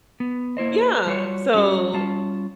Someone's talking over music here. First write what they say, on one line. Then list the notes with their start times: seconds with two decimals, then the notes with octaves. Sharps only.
Yeah. So
0.20 B3
0.57 A#3 E4 C5 D#5
1.07 G3 F4 F#4 C#5
1.54 G3 C#4 F#4
1.94 G3 C#4 F4 A5